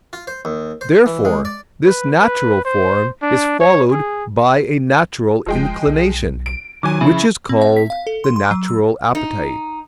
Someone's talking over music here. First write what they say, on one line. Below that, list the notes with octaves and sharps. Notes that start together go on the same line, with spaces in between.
Therefore this natural form is followed by a natural inclination, which is called the natural appetite.
F4
C5
D#2
C5
E3
G#3
D5
B4
B4
C5
D4
C#5
G#4
E1 F3 G#3 G5
B1
D7
D#3 F#3 G#5 D6
C#3 F3 E4
C4
E5
B6
F5
A4
C6
C6
F#3
E6
D#4